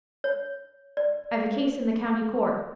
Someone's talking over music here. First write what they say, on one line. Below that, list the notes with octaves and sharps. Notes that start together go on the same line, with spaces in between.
I've a case in the County Court.
C#5
D5